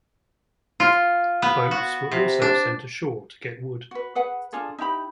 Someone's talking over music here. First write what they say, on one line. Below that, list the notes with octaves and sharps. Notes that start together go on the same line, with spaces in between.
Boats were also sent ashore to get wood.
F4
B3
F#4
C3
D4
F#4 B4
G#4 B4 F#5
D4 F4 G#4 A4
D#4 E4 G4 B5